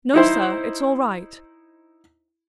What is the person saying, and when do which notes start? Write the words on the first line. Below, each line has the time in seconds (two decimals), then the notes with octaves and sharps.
"No, sir, it's all right."
0.14 D#4 E4 C5